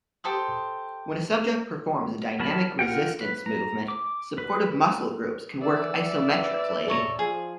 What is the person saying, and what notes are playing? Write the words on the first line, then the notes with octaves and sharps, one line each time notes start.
When a subject performs a dynamic resistance movement, supportive muscle groups can work isometrically.
G4 A4 C5 D#6
F#3 A#4 A5 B5
F4 A#4 F#5 G5
B4
A#5
D6
B4
E3 D5 E6
E5
B4
A4 C#5 A#5
F3 G#4